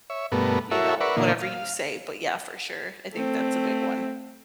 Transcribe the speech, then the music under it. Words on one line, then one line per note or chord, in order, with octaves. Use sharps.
you know, whatever you say, but yeah, for sure. I think that's a big one.
C#5 E5
G2 B2 A3 B3 A#4
E4 F#4 A4 A#4 C#5 E5
A#4 B4 D5 E5 F#5 C#6
A#2 D3 E3 A#3 D#4
F5
A3 C4